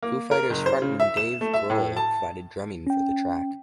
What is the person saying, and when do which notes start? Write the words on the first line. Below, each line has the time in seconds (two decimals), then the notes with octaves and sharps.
Foo Fighters' frontman Dave Grohl provided drumming for the track.
0.03 A#3
0.31 A#4
0.50 F#1
0.66 C5
0.82 C#3
1.00 E5
1.17 E7
1.41 A3
1.54 E5
1.70 A2
1.97 A5
2.87 C#4 G5